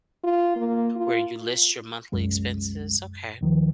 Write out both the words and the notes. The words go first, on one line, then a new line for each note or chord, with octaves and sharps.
where you list your monthly expenses? Okay.
F4
A#3
F4
C2 F#2 G#3
D#2 D#3 F3